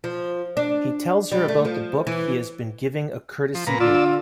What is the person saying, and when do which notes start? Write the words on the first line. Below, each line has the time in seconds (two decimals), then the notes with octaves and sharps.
He tells her about the book he has been giving a courtesy read.
0.04 F3
0.57 D4
1.32 G3
1.48 A3
1.65 F3
2.07 E3
3.55 F3
3.67 A#2 B4 A#5
3.80 D3 F4 D5 E6